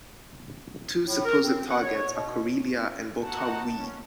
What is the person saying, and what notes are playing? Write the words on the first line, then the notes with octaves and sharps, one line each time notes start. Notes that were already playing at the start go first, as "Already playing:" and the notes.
Two supposed targets are Corellia and Bothawui.
A2
A#4
C4
F#5
C#5
B2
D#4 F#4 F#5 A5
C#4